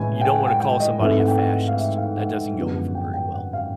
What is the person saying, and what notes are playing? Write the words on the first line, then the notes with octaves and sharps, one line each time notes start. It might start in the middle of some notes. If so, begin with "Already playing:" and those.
you don't wanna call somebody a fascist. That doesn't go over very well.
Already playing: A2 E3 G#3 C#4 G#5
G5
F#5
G5
G5
D#5
G#2 E3 A3 C4 E5
F#5
G5
F#5
F5
E5
F5
F#5
F#2 D3 F3 G#3 B3
G5
G5
F#5
F5